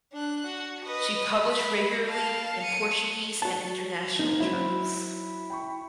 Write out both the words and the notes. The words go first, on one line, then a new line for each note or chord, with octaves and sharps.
She published regularly in Portuguese and international journals.
D4 F#6
F#4
B4 D#5
B5
F5 A5
C#7 D#7
F#4 A5
A#3 C4 D#4
F#3 C#4 E4 C5
G5 B5 C#6